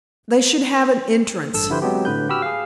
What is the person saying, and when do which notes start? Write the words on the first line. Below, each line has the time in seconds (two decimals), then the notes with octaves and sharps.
They should have an entrance.
1.53 A1 G2 A4 E6
1.70 D3 F3 E4 G4 B4 C5
1.82 F#3 G#3 B3 C4 G4
2.05 A2 D3 B4 G6
2.29 F#4 G4 B5 E6 F6
2.42 G#4 F5